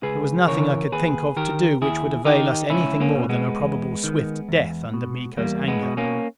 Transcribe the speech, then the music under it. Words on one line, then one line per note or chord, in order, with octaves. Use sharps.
There was nothing I could think of to do which would avail us anything more than a probable swift death under Miko's anger.
C#2 G#4 B4
C#3 E3 A#4 C#5
D#2 G#4 B4
D#3 G4 A#4
D#2 E4 G#4
D#3 D#4 G4
C#2 C#4 E4
A#3 C#4
B2
G#3 B3
E2
D#3
E2
B2
E2 G3 A#3
G#3 B3
B2
A#3 C#4